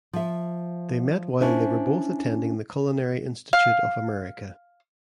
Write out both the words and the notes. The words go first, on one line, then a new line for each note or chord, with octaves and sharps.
They met while they were both attending the Culinary Institute of America.
F3 E5
C#4 D4 E4 C5
F5